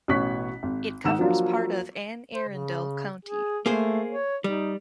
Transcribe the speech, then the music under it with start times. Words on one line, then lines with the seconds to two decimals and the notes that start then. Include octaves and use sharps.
It covers part of Anne Arundel County.
0.08 A1 B2 C#4 C#6 F#6 B6
0.63 G#1
1.04 G#2 D#3 D#4 F#5 E6 E7
1.19 F3 F#3 A#3 D4 F4 F#4
2.34 C5
2.49 C#3
3.25 G#4
3.66 A3 A#3 G#4 C5
4.09 C#5
4.44 G3 D#4